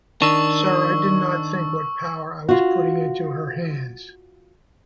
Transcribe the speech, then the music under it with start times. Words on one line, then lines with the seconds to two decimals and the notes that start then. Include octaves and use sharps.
Sir, I did not think what power I was putting into her hands.
0.22 D#3 D4 C#6 E6
2.49 F4 F#4